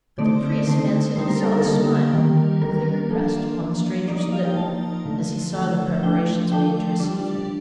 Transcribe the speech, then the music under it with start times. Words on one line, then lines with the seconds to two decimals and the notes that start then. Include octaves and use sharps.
But the priest fancied he saw a smile, quickly repressed, upon the stranger's lip as he saw the preparations made to receive him.
0.18 D3 A3 C4 D#4 D5
0.58 D5
0.67 D3 A3 C4 D#4 C5
1.16 D3 G3 A#3 D#4 C5
1.28 A#4
1.40 A4
1.51 A#4
1.64 D3 G3 A#3 D#4 A4
2.13 D#3 G3 A#3
2.62 D#3 G3 A#3 A#4
3.11 F3 A#3 D4 A4
3.59 F3 A#3 D4
4.08 F3 A#3 D#4 D5
4.20 D#5
4.32 F5
4.45 G5
4.57 F3 A#3 D#4 A5
5.06 D3 F3 A3
5.54 D3 F3 A3 A5
6.03 F3 A3 D4 G5
6.52 F3 A3 D4 G5
7.00 G3 D4